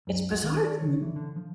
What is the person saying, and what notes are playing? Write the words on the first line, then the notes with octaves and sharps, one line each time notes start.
It's bizarre to me.
F#2
F#4
D#3
D5
C#5
E3
D3
F3